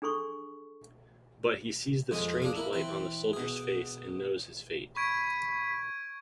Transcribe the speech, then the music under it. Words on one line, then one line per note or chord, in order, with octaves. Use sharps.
But he sees the strange light on the soldier's face and knows his fate.
D4 G#4 A4 C6 C#6
F2 G#3 G#4 G#5
D4 G#4 F5
A#3 E4
E3 C4
B2 G#4
B5 C#6 G#6 D7